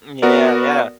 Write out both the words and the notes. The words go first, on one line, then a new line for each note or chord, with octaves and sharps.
Mm, yeah, yeah.
B3 F#4 A#4 D5